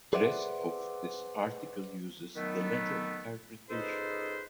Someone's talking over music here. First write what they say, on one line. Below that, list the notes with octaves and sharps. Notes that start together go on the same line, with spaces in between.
The rest of this article uses the latter interpretation.
G#4 B4 C5 D5 E5 F#5
D#3 F#3 A3 B3
C#2 D#4 G#4 A4 B4 C5